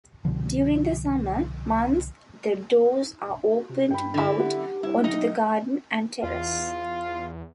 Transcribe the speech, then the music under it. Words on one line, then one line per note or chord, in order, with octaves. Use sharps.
During the summer months the doors are opened out onto the garden and terrace.
C2 B2 D3 F3
C3
G2 G5 B5
D3 E4
G4 F#5
C2 E4
B1 D#4 D#5
E2 F4